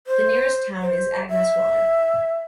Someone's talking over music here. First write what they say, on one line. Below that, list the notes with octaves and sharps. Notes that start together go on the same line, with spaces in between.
The nearest town is Agnes Water.
C5
C5
E5